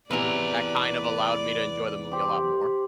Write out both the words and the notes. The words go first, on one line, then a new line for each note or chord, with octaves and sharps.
that kind of allowed me to enjoy the movie a lot more.
E2 C3 E3 B4 D5 A#5
G4 C5